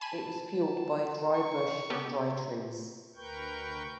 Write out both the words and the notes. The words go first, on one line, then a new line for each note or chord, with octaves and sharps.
It was fueled by dry bush and dry trees.
G#5 A5 B5 D#7
C#6
B3 G4 A4
D2 A#4 B4 G5 C#6 G6